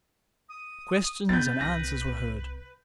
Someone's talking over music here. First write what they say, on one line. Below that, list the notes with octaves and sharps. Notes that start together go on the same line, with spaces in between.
Questions and answers were heard.
D#6
B3 B4 G6 A6
C2 A#6